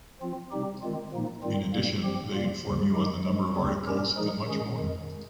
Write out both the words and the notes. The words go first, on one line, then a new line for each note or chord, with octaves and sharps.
In addition, they inform you on the number of articles and much more!
F3 C4 F4
C3 G3 C4 D#4 G4
D#3 G#3 C4 F4
A#2 F3 A#3 D#4
G#2 D#3 G3 C4 F4
G2 G3 A#3
F3 C4 G4
C3 G3 A#3 F4
D#2 C#3 F3
D#3 G#3 D#4 G4
G2 F3 G#3
D#2 C#3 G3 C4
G2 G3 C#4 G4 A#4
F3 G#3 D#4 G#4
D#3 G#3 C#4 G#4
F2 D#3 G#3